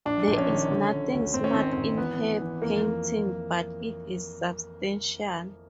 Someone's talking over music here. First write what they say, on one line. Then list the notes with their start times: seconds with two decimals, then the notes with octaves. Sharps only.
There is nothing smart in her painting, but it is substantial.
0.05 A#1 D4
0.27 A#1
0.38 C#4
0.49 D#3
0.71 D3
0.91 D3
1.12 D2
1.34 G#1 C4
1.44 C#4
1.54 D#3 C4
1.63 C#4
1.73 G#1 C4
1.97 E3 B3
2.19 E3
2.41 E3
2.62 F2 A#3